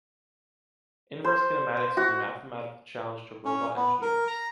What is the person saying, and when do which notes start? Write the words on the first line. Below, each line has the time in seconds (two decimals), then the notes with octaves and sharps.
Inverse kinematics is a mathematical challenge to robot engineers.
1.24 C5
1.97 F#4
3.45 C#4
3.76 B3
4.02 A#4
4.27 A#5